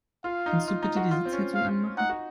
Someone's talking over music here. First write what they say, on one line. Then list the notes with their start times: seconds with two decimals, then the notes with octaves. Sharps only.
Kannst du bitte die Sitzheizung anmachen?
0.24 F4 F5
0.46 D#4
0.68 F4
0.82 D#4
0.96 F#4
1.11 F4
1.25 C4
1.33 C#4
1.54 F5
1.97 D#4 F#5
2.10 F#4